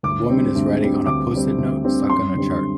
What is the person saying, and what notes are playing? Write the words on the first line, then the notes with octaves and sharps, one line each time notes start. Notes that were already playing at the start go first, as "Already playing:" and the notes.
A woman is writing on a postit note stuck on a chart.
D2 D6
D3 G3 C4
D2
D3 G3 C4
D2 D6
D3 G3 C4
D2
D3 G3 C4
F#2 C6
D3 G3 C4